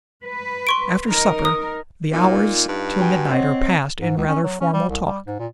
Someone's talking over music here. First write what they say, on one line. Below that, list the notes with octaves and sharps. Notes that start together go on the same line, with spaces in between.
After supper the hours till midnight are passed in rather formal talk.
B4
C6 C#6 D7
D#4 A#4
D#6
A#2 D#4 F4
G2
F#4 G5 G#5
C4 C#5 D#5 F#5
G#2
C#2
C#4
F#3
C#4
G3
C2
G3
G#2
A#2